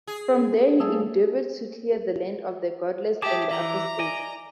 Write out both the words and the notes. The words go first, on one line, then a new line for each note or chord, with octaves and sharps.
From there he endeavored to clear the land of "the godless and the apostate".
G#4
G3 A3 A#3 G#4 A4 E5
G4 G#4 E5 A5 D6
E3 A#5
D5 D#5 G#5